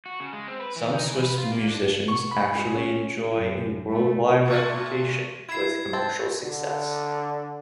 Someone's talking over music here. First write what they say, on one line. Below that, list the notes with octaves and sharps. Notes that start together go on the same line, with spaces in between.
Some Swiss musicians actually enjoy a worldwide reputation, with commercial success.
F#4
C#3
G#3
C4
B4
E3
D#4
E3
B4
F4
A#3
D4
C#6
B5
G#3
C#4
F#2
A3
A#2 A3 F#4
E4 G#6 C7 E7
C4 A5
D3